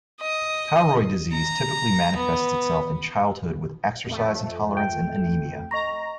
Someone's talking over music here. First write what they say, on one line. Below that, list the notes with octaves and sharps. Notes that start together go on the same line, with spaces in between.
Tarui disease typically manifests itself in childhood with exercise intolerance and anaemia.
D#5
A#5
B3
F2 A3
G5
D#5 A#5 C#6 A#6